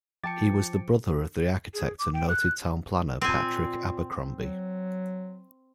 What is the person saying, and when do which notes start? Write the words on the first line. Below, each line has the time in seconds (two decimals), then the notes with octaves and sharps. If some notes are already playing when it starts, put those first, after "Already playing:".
He was the brother of the architect and noted town planner, Patrick Abercrombie.
0.24 F3 G5 A5 D6 A6 C#7
1.74 G#4
1.99 D6
2.13 G5
2.29 F#6
3.21 A#2 C4 G#5
4.36 F#3